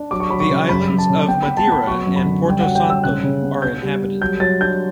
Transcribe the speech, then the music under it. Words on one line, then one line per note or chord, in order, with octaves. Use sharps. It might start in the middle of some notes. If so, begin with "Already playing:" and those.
The islands of Madeira and Porto Santo are inhabited.
Already playing: D4
F#3 D6
C#6
F#3 B5
C#6
C#3
F#2 B5
F#2
A5
C#3
B3 G5
B5
B3
A5
B3 B5
F#3 C#6
F#2
B5
D3
G2 G5
F#3 F#5
G5
G2
E6
C#3 F#6
C#3
B3
D4 G6
G3
G3
F#3 G6
F#3 A6
D4 G6